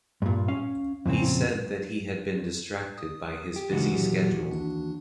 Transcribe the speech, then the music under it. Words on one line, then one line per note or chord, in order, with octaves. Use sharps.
He said that he had been distracted by his busy schedule.
G2 A#2
C#4 F5
F2 A#2 C#3 C4
D#6
G4
D#2 C#3 E3 G#3 F#4
A#2 F#3 G4
D4